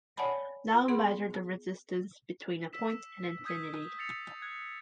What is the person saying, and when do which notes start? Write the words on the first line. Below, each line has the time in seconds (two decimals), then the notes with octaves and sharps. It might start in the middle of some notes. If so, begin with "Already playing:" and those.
Now measure the "resistance between a point and infinity".
0.17 C#5 D5 F#5 G#5 A5 B5
0.73 F4
0.88 B3 G#4 F#5 C6
2.73 E6 B6 E7
3.45 D#6 G6 G#6 B6 D#7
3.98 E6 A6 C7 C#7 F7
4.42 F#6 G#6